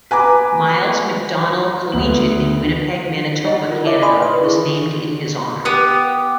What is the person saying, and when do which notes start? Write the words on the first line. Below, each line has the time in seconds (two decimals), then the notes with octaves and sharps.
Miles Macdonell Collegiate in Winnipeg, Manitoba, Canada was named in his honour.
0.11 B4 G#5 A#5 D6
1.92 D2 B3 F#7
3.44 D#4 D#5 F#5
3.70 F4 A#4
3.84 D#4 E4 A#4 C#5 E5 D6
4.02 D5 G#5 B5 C6 D#6
4.21 B4 D#6
4.43 D#4 E4 G#4 C#6
5.65 B3 G4 D#6 F#6